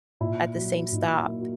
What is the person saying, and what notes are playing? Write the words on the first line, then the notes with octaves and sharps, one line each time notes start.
at the same stop,
A#2 E4
F#3
A#2 D#4
E4
A#3
F#4